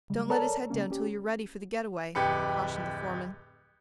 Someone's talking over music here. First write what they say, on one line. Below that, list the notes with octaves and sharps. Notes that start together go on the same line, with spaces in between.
"Don't let his head down till you're ready for the get-away," cautioned the foreman.
C#3 G3 G#3
A4 A#4 C#5 D5 A5 A#5
C#3 G#3 A#3 C#4
C#4 G4
D1 F2 G4 B4 C#7